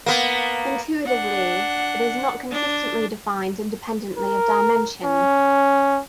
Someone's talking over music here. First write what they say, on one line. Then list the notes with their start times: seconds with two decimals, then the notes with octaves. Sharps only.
Intuitively, it is not "consistently defined independently of dimension".
0.06 A#3 B3
1.04 D4 F#5
2.52 D4
4.18 A#4
5.05 C#4